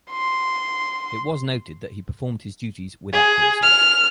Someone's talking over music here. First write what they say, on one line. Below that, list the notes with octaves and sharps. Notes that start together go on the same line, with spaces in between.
It was noted that he performed his duties with accuracy.
C6
G#4
F6